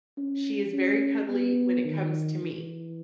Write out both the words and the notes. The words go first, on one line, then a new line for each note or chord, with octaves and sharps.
She is very cuddly when it comes to me,
C#4
C#4
B3
D#3
E3